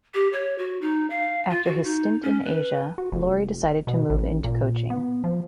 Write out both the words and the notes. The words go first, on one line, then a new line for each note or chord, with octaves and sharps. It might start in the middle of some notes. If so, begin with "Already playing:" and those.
After his stint in Asia, Laurie decided to move into coaching.
G4
C#5
F#4
D#4
F5
F4
F#4
D#4
C#4
B4
F#4
F1
B2
A1
A#2
B3
F3